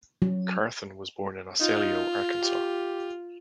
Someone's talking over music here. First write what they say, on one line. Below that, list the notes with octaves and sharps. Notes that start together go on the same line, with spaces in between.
Carthon was born in Osceola, Arkansas.
F#3
D#4 F4
G4